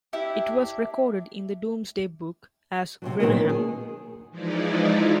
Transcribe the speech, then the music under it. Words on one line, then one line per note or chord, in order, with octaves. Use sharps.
It was recorded in the Domesday Book as "Greneham".
D4 E4 G4
C3 D#3 F#3
A#2 D#3 F#3 G#3 B3 A#4
D#3
G#4
E3 F3 G#3 D#4 E4 D5